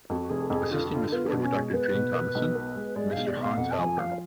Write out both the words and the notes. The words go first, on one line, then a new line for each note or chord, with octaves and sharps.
Assisting Ms Forde were Doctor Jane Thomason and Mr Hans Heilperm.
F2 F#4
F#4
F1 G#4
F2 G#4
D3 F4
F#4
D3 F4
D4
B3 F4
D4
B2
C#4
G#3
B3 B4
B2
B3
B1
B3
G#3
G#3 D5
B1 F5
D5
B2
F5
F2 F#5
A5
F3 G#5
F3 F5